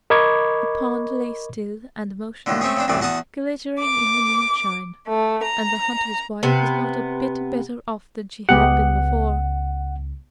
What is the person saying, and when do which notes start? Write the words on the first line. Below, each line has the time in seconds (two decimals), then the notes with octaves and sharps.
The pond lay still and motionless, glittering in the moonshine, and the hunter's wife was not a bit better off than she had been before.
0.10 A#4 D#5 B5 C#6 D6 G#6
2.46 D#2 A2 D3
2.61 A3 C4 C#4 G#4
2.77 C#3 C4 D4
2.88 C2 F#2 A2 E3 D5
3.00 E2 F#4 F#5 A5 D#6
3.79 D6
5.07 A3
5.43 A#5
6.43 C3 B3
8.49 C#2 G#3 B3 G4 F#5